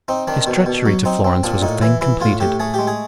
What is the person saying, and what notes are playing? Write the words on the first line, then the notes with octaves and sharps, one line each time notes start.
His treachery to Florence was a thing completed.
C4 D#4
D#3 D4
B2
B2
F#3
C4 D#4
C4
A#2 D4
A2 D#4
E3 E4
E3 E4
A2 F4
A2 G4
A3 G#4
G#3 G4
G#4